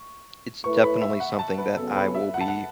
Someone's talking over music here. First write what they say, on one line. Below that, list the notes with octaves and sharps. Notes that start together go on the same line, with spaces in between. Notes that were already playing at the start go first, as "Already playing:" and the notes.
it's definitely something that I will be
Already playing: C#6
A2 A3 E4 B4 C#6
B5
E5
F#5
A5
B4
C#3 F#3 B3 A4
B4
E5
F#5
A5
F#5